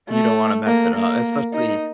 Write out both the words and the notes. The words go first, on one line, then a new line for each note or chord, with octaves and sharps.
You don't wanna mess it up, especially
A3
A#3
A#3
D#4